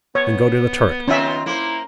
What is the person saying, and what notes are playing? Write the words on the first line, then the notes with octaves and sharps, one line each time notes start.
Then go to the turret.
B3 C#5
D#3 C4 C#4 F4 E5
A#3 E4 C5